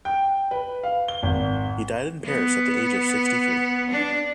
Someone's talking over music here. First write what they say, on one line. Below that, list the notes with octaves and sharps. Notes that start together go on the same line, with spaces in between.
He died in Paris at the age of sixty three.
G5
B4
F5
G7
G#1
B3
D4